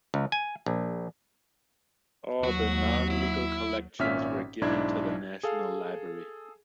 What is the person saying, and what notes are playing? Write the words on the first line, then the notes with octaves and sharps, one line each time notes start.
All the non-legal collections were given to the National Library.
C#2
G#5
A#1
D#2 F#3 F#4
E4
G#1 A#2 C#4 E5 F6 B6
B1 G#2 D4 E4 G#6
G#4 A4 F5